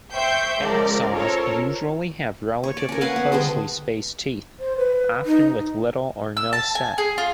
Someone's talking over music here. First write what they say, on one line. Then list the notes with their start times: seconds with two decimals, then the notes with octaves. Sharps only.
Backsaws usually have relatively closely spaced teeth, often with little or no set.
0.14 C5 E5 G5 C#6 E6 G6
0.61 C#2 F3 A#4 D5
1.14 C#4 F4 A4 A#4 C5 C#5
2.63 C#5
2.77 D5
2.89 C#4 A#4
3.01 B4 F5 F#5 G#5
3.16 B3
3.32 D3 G3 G#4 C5
4.60 C5
4.78 B4
5.25 D#4
6.37 E6
6.53 A5
6.75 G#5
6.98 G#4
7.18 F4